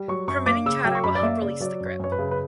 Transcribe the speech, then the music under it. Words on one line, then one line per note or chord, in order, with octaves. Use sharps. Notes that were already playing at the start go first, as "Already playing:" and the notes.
Permitting chatter will help release the grip.
Already playing: G3
F#3 C#6
F#2 C#6
A#3 D6
C#3 E6
F#3 G5
C#6
F#2 B5
D5
A#3 E5
C#3 D5
F#3 D5
F#2
C#5
F#2 C#5
B4
C#3
B4